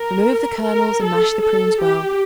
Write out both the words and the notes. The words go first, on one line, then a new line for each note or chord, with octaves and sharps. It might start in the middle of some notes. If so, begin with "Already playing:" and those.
Remove the kernels and mash the prunes well.
Already playing: A#4
A#4
A4
A4
G4